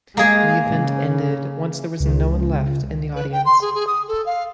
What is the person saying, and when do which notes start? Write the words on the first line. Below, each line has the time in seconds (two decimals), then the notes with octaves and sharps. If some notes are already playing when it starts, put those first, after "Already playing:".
The event ended once there was no one left in the audience.
0.17 G#3 A#3 G#4
0.71 C#3
1.99 C#2
3.15 B4
3.32 G5
3.45 C6
3.61 G#4
3.74 G#4
3.87 D#6
4.08 A4
4.26 F5